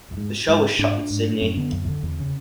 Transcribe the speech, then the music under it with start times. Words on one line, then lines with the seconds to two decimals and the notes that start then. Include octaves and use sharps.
The show was shot in Sydney.
0.17 G#2
0.49 G#2
0.79 G#2 D4
1.10 G#2
1.41 F#2 C#4
1.57 D3 B3
1.73 F#2
1.88 D3
2.03 E2
2.19 C#3